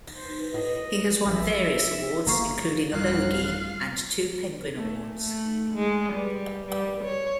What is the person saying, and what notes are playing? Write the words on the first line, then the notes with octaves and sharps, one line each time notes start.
He has won various awards, including a Logie and two Penguin awards.
C5
A2 D#5
A1 F3 G#4 E5
G1 A#3 F5 A#5 C#6
A1 F#2 G3 F4 F5 F#6
A3
A3
G#3
G3
G3
C#5